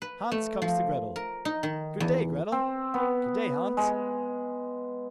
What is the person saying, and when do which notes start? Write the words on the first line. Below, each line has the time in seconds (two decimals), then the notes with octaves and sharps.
Hans comes to Gretel. 'Good day, Gretel.' 'Good day, Hans.
0.02 B4
0.32 A3
0.62 F3
1.16 A#4
1.45 D#4
1.63 D#3
2.00 E2
2.52 C4
2.94 B3
3.77 G#3